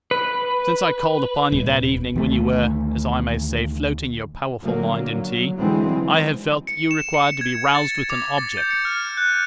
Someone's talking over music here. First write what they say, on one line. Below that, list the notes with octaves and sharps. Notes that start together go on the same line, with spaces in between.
Since I called upon you that evening when you were, as I may say, floating your powerful mind in tea, I have felt that you required to be roused with an object.
B4
D#1
D2 D#3 G3 A3
D3 F#3 A#3
F#3
D3 E3 F#3 G#3 C4
C#7
E7
C#7
G#6
A6
D6
A6
G6
C#7
F6
F#6